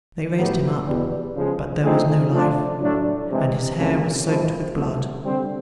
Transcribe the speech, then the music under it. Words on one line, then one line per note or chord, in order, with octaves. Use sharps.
They raised him up, but there was no life, and his hair was soaked with blood.
A2 F#3 B3 E4 G4
E2 B2 G3
C#3 F3 G#3
F3 A3 C4 D#4 G#4
F3 A3 D4 F4
A2 F#3 A3 D4
C3 E3 G#3
C#2 C3 F3 A#3 C#4
A2 F3 G#3 C4 E4
C2 B2 F#3 A3
D3 G3 C4